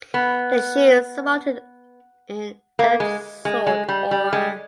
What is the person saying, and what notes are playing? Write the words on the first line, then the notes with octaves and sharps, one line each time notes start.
The shield surmounted an erect sword or.
B3
A#3
G#3
G#3
G#3
G3
G3
G#3